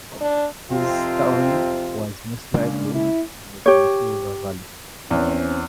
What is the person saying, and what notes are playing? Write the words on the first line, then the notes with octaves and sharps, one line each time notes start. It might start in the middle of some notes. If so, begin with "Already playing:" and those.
His town was most likely in the Tennessee River Valley.
D4
F2 C3 C4 F4
C#3 G#3 A#3 D4
E4
G4 C#5
E2 C4 C#4